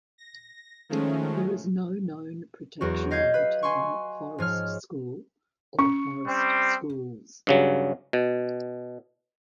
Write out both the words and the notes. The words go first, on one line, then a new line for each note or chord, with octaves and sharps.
There is no known protection of the term "forest school" or "forest schools".
A#6
D#3 F3 G#3 A3 C#4
E2 F#3 F#4
D#5 F5 G6 G#6
B4
G#5 C6 C#6
G#2 F3 C#5 F6
C#4 C#6
G3 C4
G2 C#3 F#3
B2